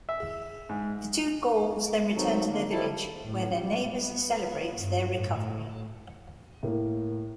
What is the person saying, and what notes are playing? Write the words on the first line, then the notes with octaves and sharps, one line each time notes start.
The two Gauls then return to their village, where their neighbors celebrate their recovery.
E5
G#2
D#3 F#3 C4 D#4 F#4 A4
D3 A#3
F3 G3 E4 A4 A5
A2
G3
B3
G2
A2
A2 A#3